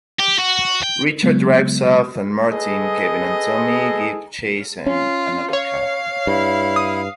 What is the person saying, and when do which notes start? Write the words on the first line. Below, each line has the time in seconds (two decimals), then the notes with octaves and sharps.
Richard drives off and Martin, Kevin and Tommy give chase in another car.
0.19 G4
0.39 F#4
0.84 G5
1.23 C#3 F#3 G#3 B3
2.52 G#4 A4 B4 D#5
4.86 C#4 F4
5.53 C#5 F5
6.27 G2 E4
6.76 D#6